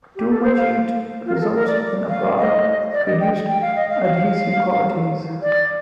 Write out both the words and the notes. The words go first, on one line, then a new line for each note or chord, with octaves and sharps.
Too much heat results in a product with reduced adhesive qualities.
G4
A4
C5
F5
F4
A#4
A4
A#4
D5
F5
D#5
D5
D#5
G5
G5
F5
D#5
F5
F5
D5